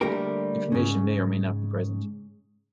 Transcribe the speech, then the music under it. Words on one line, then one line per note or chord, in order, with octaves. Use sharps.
Inflammation may or may not be present.
D3 G3 A3 A#3 G4 A#4
G#2 C#3